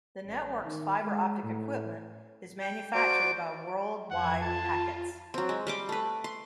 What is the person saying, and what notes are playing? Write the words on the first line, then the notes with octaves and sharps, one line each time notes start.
The network's fiber optic equipment is manufactured by World Wide Packets.
A1
D#3
G#3
A2
G5
F#4 C5 D5 D7
F2 F#5 G#6
F4 A5
F#3 C4
G#3
G3 C6 D6
A3 B4
C6